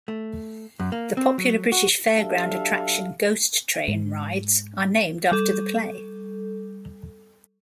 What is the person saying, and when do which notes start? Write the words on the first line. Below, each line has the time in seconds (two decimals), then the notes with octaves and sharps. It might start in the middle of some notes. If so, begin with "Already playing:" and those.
The popular British fairground attraction "Ghost Train" rides are named after the play.
0.08 A3
0.80 F#2
0.92 A#3
1.17 C4
1.38 F#3
1.72 F#4
2.17 F#3 D4 G4 A4 E5 F5
3.88 G#2
5.32 G3 A4